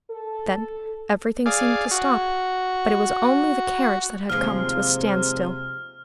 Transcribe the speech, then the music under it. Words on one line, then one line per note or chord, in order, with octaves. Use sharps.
Then everything seemed to stop, but it was only the carriage that had come to a standstill.
A4
G#4 D5 F5
F#4
D#2 C3 F3 G#3 F6